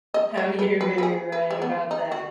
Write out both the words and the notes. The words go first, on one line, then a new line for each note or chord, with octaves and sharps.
Oh, you're very right about that.
D#5
C#5
B4
B4
B4
G#4
B4
G#3
B3
D#4
F#4